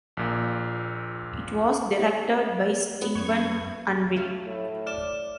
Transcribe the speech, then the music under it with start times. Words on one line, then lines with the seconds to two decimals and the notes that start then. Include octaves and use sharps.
It was directed by Steven Unwin.
0.17 A#1 A#2
3.02 B3
3.15 F#2 C#6 G#6
4.16 A3 F5
4.46 A2
4.87 D5 F6 E7